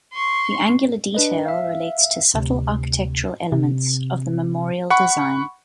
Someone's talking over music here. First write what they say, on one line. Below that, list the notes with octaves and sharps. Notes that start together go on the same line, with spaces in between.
The angular detail relates to subtle architectural elements of the memorial design.
C6 C#6
D4 B4 D#5
E5 F5
D2 C3
C3
F#5 B5 C#6